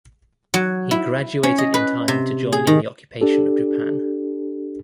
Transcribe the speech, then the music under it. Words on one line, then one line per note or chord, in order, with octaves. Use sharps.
He graduated in time to join in the occupation of Japan.
F#3
E4
C#4
D#5
B4
C3
G#4
D#3
D4 G4 A4